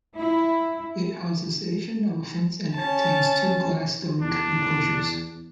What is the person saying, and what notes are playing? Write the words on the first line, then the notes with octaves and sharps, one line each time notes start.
It houses Asian elephants and contains two glass-domed enclosures.
E4
C#4 A5
E2 D4